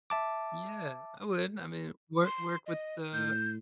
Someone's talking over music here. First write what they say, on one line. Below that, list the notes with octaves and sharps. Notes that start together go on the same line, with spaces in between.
yeah, I would. I mean, wor work with the
E5 A5 D6
C6
D#5
A2 G6